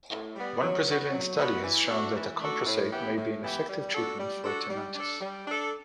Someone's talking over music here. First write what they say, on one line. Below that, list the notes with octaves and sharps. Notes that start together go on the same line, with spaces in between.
One Brazilian study has shown that acamprosate may be an effective treatment for tinnitus.
A2
G3 B3
F#3
B3 F#4
F#3
B3 F#4
E3
A3 D4 F#4 A4
E3
A3 D4 F#4 A4
A2
E3 B3 E4 G4
A2
E3 B3 E4 G4
G3
D4 F#4 A4
G3
D4 F#4 A4
G3
D4 A4
G3
D4 A4